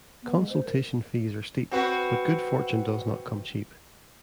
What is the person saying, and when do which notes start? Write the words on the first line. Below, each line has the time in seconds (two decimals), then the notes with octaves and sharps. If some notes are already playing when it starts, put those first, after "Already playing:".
Consultation fees are steep, but good fortune does not come cheap.
0.23 B3
0.36 G#3
0.49 C5
0.64 A#4
1.71 C4 F#4 B4